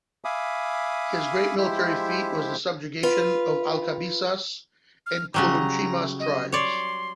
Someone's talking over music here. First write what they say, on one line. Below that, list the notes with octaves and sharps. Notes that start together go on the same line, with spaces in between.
His great military feat was the subjugation of Alcabisas and Culunchimas tribes.
E5 F5 G#5 B5 D6 D#6
F3 G#3 E4 G4 C5 E5
F4 B4
F6
C#3 F#3 G3 A#5
D#5
C#5 D5 C6